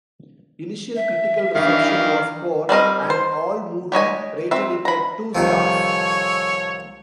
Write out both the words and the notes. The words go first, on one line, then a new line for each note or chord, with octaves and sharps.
Initial critical reception was poor and "Allmovie" rated it at two stars.
E5
D#3 E3 D4 F5
G3 C4 A#4 D#5
C5
G4 C#5 D#5 G#5
C4 E5
A#5 B5
C2 D#3 F3 A4 C#5 G#5